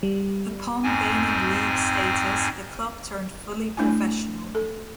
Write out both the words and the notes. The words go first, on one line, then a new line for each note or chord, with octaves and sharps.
Upon gaining League status, the club turned fully professional.
G3
F2 G#2 C4 G#5
A3 D4 E4 G#5
A4